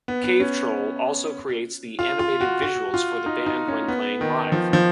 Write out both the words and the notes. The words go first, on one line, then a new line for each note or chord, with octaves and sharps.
Cavetroll also creates the animated visuals for the band when playing live.
B3
B3
C#4
F4
F4
F#4
F#4
F4
D#4
D#4
C#4
B3
D#3
F3
F3